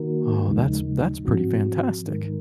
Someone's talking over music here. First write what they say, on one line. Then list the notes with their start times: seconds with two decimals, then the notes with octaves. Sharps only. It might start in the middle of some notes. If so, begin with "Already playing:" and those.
Oh, that's that's pretty fantastic.
Already playing: D#3 A#3 D#4 F#4 A#4
0.47 D#2 C#3 F3 G#3 D#4
1.25 G#2 F3 C4 F#4
2.05 G#2 D#3 G#3 D#4 A#4